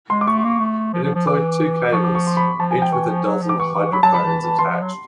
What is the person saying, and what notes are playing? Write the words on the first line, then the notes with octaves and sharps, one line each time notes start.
It employed two cables, each with a dozen hydrophones attached.
G#3 C6
D6
A3 C#6
A#3
A3
F3
F3
F3
E3 D6
F3 C#6
D6
C#6
C6
B5
F3 A5
G#5
F3 G5
E3 C#6
F3
F#3
F3
D6
E3 C#6
E3
F#3 B5
F#3 A5
F3 B5
E3
E3
E3 C6
F3
F#3